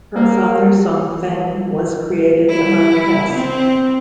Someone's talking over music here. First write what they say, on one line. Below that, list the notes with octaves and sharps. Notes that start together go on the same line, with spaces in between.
Her father Song Feng was created a marquess.
A#3
E4
C4